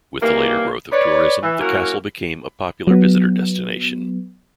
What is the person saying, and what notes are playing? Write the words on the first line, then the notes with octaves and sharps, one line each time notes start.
With the later growth of tourism, the castle became a popular visitor destination.
D#3 E3 G3 A#3
B4 C#5 D5
E3
F#3 A#3 C#4 E4 F#4 A#4
F#3 B3